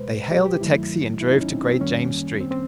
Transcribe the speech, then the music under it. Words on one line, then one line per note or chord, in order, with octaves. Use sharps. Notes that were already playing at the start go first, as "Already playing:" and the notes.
They hailed a taxi and drove to Great James Street.
Already playing: C#2 B2 G#3 B4 C5
G4
G4
G2 D#3 F#3 A3 E4
E4
D#4
C#4
C4
C4
F#2 D#3 G3 A#3 C#4
C4
C4